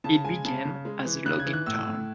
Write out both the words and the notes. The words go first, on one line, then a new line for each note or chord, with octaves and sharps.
It began as a logging town.
C#3 A5
G#3 G#5
C#3 A5
C#3
G#3
E3
C#3 F#6
G#6
E3
F#6
A2 E6
A2